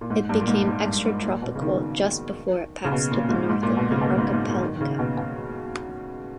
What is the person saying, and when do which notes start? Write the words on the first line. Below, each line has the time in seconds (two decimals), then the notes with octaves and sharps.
It became extratropical just before it passed to the north of the archipelago.
0.01 A#2
0.10 G#2
0.29 G2
0.41 A#2
0.48 G#2
0.68 G#2
0.86 G2
1.05 G#2
1.23 A#2
1.42 B2
1.55 C#3
1.61 D#3
2.85 C#3
2.92 B2
3.11 A#2
3.29 G#2
3.49 G#2
3.63 A#2
3.77 B2
3.91 C#3
4.01 B2
4.05 A#2
4.18 G#2
4.33 G#2
4.48 A#2
4.61 D#3
4.75 D#3
4.81 C#3
4.99 B2
5.17 B2